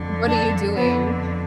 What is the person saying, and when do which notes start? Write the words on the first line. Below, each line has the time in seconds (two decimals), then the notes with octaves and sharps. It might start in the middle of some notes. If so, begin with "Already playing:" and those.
What are you doing
Already playing: F2 D3
0.28 D4
0.75 F2 D3 B3